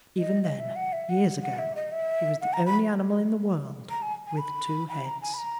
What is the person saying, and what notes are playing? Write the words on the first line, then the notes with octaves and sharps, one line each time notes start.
Even then, years ago, he was the only animal in the world with two heads.
D#5
D#5
E5
F#5
E5
F#5
F#5
E5
D#5
E5
F#5
A#5
B5
A#5
G#5
G#5
B5
B5
A#5
G#5
B5
A#5